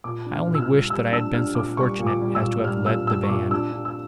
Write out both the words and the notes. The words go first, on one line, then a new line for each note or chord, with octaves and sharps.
I only wished that I had been so fortunate as to have led the van.
A#2 D6
D4
F6
A#2
E6
F6
G3
G3 E6
D4 E6
D4 F6
A#2 D6
G3 C#6
A#2
D6
G3
E6
A#2
G3 F6
A#2 E6
G3 E6
C#6
A#2 D6
D4 E6
D4
E6